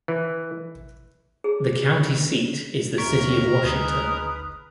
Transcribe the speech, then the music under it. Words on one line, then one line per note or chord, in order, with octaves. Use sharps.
The county seat is the city of Washington.
E3
G#4
D#2 C3 A#4 C#6 B6
D2 D#4 G#4 B4 D#6